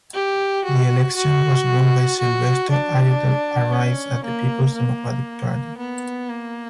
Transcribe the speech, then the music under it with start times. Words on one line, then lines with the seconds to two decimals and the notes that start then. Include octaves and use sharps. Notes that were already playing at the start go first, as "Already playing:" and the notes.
The election was won by Sylvester Ayodele Arise of the Peoples Democratic Party.
0.14 G4
0.65 F#4
1.16 F#4
2.20 F#4
2.71 D4
3.73 C#4
4.24 A#3
4.75 A#3
5.78 B3
6.30 A#3